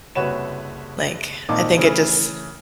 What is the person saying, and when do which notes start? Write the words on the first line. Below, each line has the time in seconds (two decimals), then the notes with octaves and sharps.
Like, I think it just
0.15 F#1 C2 F#4 B4 C#5 E7
1.49 G#1 A#2 D#4 A5 D6
1.77 C#3 E3 A3 E4